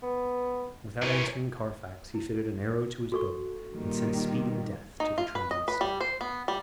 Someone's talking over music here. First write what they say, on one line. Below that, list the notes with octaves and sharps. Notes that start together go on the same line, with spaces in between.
Without answering Carfax, he fitted an arrow to his bow, and sent speeding death to the trembling stag.
B3
A#2 E3 C#4
E4
F#4 A4 C#6
A#2 D#3 G3
D#4
F4
B4
D#5
B4
G3
C5
B3
G3